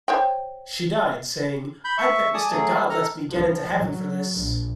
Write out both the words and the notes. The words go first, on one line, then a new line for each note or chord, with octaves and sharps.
She died saying, 'I bet Mister God lets me get into heaven for this'.
C5 C#5 G5
B5 G6
E5 C#6
D5 G#5 A5 D#6
F#3 A3 G#4
G3 A#3
A4 A#5 F6
F3
F#3
A#1